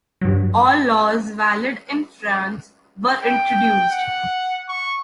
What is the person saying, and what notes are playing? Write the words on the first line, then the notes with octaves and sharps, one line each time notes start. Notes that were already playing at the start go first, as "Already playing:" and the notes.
All laws valid in France were introduced.
G2 F#3
G5
F#5
C#6